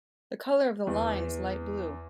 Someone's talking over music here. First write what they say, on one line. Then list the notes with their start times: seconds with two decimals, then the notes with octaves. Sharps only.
The color of the line is light blue.
0.87 E2